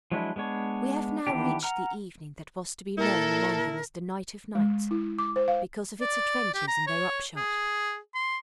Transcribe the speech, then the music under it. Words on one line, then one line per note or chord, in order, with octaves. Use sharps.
We have now reached the evening that was to be known among them as the Night of Nights, because of its adventures and their upshot.
F3 F#3 G#3 D4 E4
G#3 B3 D4 C#5
D#3 E3 B3 D4 G4
F#5 A#5 F6
A#2 E4 A4 A#4
G#3
E4
D6
C5
F5
D5
G4
A#5
C#5
G#4
C6